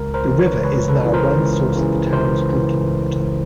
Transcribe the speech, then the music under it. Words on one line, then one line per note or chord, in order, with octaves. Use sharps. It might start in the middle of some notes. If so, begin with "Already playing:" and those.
The river is now one source of the town's drinking water.
Already playing: C#2 A#4
A#4 C5
C#3 E3
B4 C#5
C#2 B4 C#5
A4 B4
C#3 E3
A#4 C5
C#2
C#3 E3
C#2 A#4 C5
C#3 E3